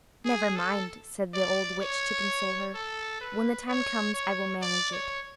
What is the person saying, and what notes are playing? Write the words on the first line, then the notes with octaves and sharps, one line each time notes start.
"Never mind," said the old witch to console her; "when the time comes I will manage it."
G#4
A4
D5
C#5
A4
B4
C#5
C#5
D5
C#5